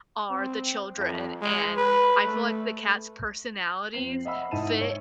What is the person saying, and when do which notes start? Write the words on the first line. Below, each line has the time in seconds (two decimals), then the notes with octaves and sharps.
are the children and I feel like the cats' personalities fit
0.30 C4
0.98 F2
1.41 G#3
1.77 B4
2.24 A3
3.93 F2 C4 C7 F#7
4.25 D#5 E5 F#5 B5 E6
4.51 G#2 D#4 E4 A5 D#7 E7
4.81 C#5